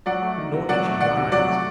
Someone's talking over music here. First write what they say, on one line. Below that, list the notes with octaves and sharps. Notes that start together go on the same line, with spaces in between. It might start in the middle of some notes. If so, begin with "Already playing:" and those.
Nor did she rise.
F#3 D5 F#5
A3
D#3
C3
F#3 D5 F#5
A3
D#3 D5 F#5
C3
F#3 D5 F#5
A3